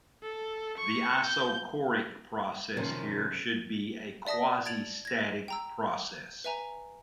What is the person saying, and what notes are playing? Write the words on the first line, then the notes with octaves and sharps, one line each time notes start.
The isochoric process here should be a quasi-static process.
A4
C#6
G6
F#2 C3 D#3 F3 C#4
D5 E5 A5 D#6 A#6
G#6 A6 D7 F7 F#7
G#6 A#6
G5 A#5 E6
B4 E5 G#5 A#5